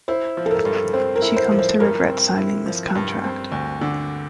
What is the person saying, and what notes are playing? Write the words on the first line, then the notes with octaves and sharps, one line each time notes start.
She comes to regret signing this contract.
E4 C5
F3
A4
A#4
G2
C4 C5
A#4
E4
C5
F3
C5
G2 A#4
C4
E4
F3
G2
C4
D2
D3